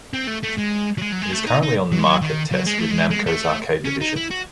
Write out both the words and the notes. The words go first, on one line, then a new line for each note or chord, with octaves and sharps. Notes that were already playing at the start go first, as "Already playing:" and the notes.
It is currently on market test with Namco's arcade division.
C4
A3
A3
G#3
F#3
G#3
F#3
G#3
A3
D#4
D#4
F#3
G#3
F#3
D#3
F#3
G#3
A3
G#3
G#3
A3
C#4
D#4
E4
F#4